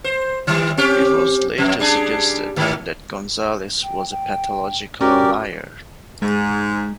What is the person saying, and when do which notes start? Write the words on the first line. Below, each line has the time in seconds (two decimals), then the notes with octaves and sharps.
It was later suggested that Gonzales was a pathological liar.
0.04 C5
0.47 D#3 G3
0.77 C4 C#4 G4
1.58 F2
1.79 G3 D4 G#4
2.56 G#2 D#3
3.83 G5
4.11 G5
5.01 C#4 F#4 G4 A#4 D5
6.22 G#2 G#3